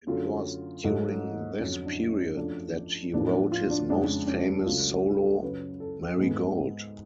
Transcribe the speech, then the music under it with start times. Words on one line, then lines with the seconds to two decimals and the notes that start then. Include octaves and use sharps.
It was during this period that he wrote his most famous solo 'Marigold'.
0.07 F#2 D3 F#3 A3 F4
0.84 G#2 F#3 A3
1.60 F2 D3 F#3 C#4
1.85 D4
2.12 C#4
2.37 F#2 F3 A3 D4
3.14 A2 F3 B3 D4
3.32 D4
3.52 F4
3.70 D4
3.90 F2 C#3 G#3 D4
4.27 C#4
4.66 C#2 C#3 F#3 A3 F4
4.91 F#4
5.17 A4
5.42 F#2 C#3 F#3 B4
5.80 A4
6.00 A4
6.18 G#2 G#3 B3